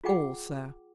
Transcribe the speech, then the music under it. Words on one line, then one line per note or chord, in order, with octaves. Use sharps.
"All, sir."
F4 G#4 F#5 G5 D6